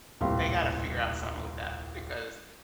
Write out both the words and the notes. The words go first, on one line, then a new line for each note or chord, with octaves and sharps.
they gotta figure out something with that because
D#1 C2 A2 G4 F5 C6